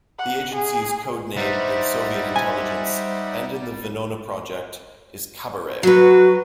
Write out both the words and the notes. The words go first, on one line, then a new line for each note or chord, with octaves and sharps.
The agency's code name in Soviet intelligence and in the Venona project is "Cabaret".
F#5
G#4
G3 D#4 C5 E5 F#5
G#5
F#3 F#4 B4